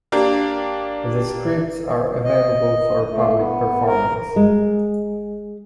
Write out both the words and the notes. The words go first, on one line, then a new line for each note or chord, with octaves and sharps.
The scripts are available for public performance.
A#3 D4 G4
D#5
A3
B3
A#4
G#3